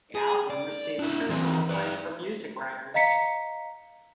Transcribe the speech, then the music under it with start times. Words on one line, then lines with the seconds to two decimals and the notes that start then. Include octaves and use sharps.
The album received critical acclaim from music writers.
0.15 G#4
0.50 D5
0.99 D4 E4
1.30 E3 C4
1.69 B4 D5
2.94 D#5 F5 A#5 B6 C#7